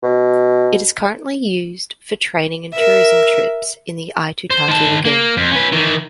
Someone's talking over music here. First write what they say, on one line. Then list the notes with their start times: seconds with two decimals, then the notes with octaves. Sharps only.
It is currently used for training and tourism trips in the Aitutaki lagoon.
0.03 B2
2.73 A#4 E5
4.50 C5
4.68 D#3 A5
5.05 A#3
5.37 F2
5.51 C#4 B4
5.72 D#3 E3